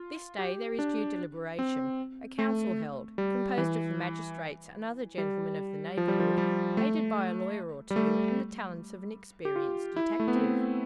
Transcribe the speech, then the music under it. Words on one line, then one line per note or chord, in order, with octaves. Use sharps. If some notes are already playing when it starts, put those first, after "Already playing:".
This day there is due deliberation; a council held, composed of the magistrates and other gentlemen of the neighbourhood, aided by a lawyer or two, and the talents of an experienced detective.
Already playing: F4
G4
D4
C4
A3
G3
E3
G3
F3
G3
F3
G3
A3
G3
A3
G4
F4
E4
A3
B3
C4